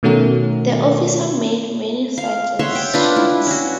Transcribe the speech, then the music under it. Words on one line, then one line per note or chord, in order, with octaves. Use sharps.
The officer made many suggestions.
B2 D#3 A3 C#4 F#4 A#4
F5
C#5 E5 F#5 C6
G5
D4 F4 B4
E4
C#4 F#4